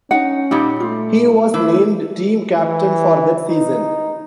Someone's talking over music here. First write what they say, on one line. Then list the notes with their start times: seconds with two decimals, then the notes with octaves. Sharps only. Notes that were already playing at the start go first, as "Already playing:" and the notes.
He was named team captain for that season.
0.11 C#4 D#4 F#5
0.51 A#2 G3 D#4 G4
0.80 A3 F4
1.54 E3 A3 E4 C5
2.61 E3
3.47 D#4